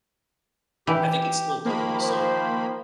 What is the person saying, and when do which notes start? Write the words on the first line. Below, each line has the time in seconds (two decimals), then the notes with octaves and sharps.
I think it's still applicable. So,
0.87 E3 G4
1.65 D#3 F3 A#3 B5
2.01 C5